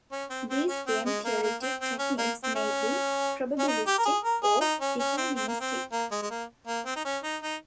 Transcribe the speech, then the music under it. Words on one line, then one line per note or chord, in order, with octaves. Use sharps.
These game-theoretic techniques may be probabilistic or deterministic.
C#4
C4
C4
C#4
C4
G#3
A#3
A#3
C4
C4
C#4
A#3
C4
C#4
C#4
D#4
G4
A#4
G#4
A#4
G#4
D#4
C#4
C#4
C4
C4
A#3
C4
A#3
G#3
G#3
A#3
A#3
C4
D#4
C#4
D#4
D#4